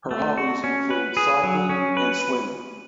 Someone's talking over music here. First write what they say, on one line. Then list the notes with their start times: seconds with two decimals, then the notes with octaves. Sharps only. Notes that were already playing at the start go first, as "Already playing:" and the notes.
Her hobbies include cycling and swimming.
0.11 A3
0.38 F#4
0.64 C#4
0.91 B4
1.17 G#4
1.43 F#3
1.70 C#4
1.97 B4